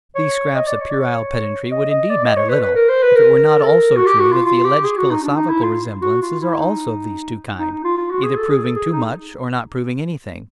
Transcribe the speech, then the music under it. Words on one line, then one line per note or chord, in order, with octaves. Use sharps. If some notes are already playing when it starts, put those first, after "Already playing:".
These scraps of puerile pedantry would indeed matter little if it were not also true that the alleged philosophical resemblances are also of these two kinds, either proving too much or not proving anything.
C#5
D#5
D5
C#5
D5
C#5
D#5
D#5
D5
D#5
C#5
B4
B4
A#4
C5
B4
A#4
A4
A#4
F#4
G4
F#4
F4
F4
G4
G#4
F#4
D#4
D4
D#4
E4
F4
F#4
F4
E4
D#4
D#4
D#4
F4
F4
F#4
G#4
A4
G#4
A4
G#4
D#4